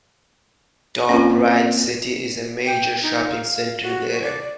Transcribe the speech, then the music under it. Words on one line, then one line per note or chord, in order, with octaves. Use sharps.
Top Ryde City is a major shopping centre there.
A#3 C4 C#4 F4
G5
D#4
F5
F#4
D5